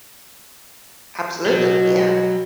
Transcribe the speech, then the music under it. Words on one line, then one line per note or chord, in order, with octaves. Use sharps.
Absolutely, yeah.
B2 F#3